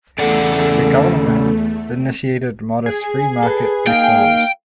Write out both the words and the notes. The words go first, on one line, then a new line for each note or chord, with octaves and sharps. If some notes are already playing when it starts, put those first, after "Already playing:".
The government initiated modest free market reforms.
E2 C#3 A3 A4 D5 F#5
G#4
A4 B4
A#3 D#4 F5 G5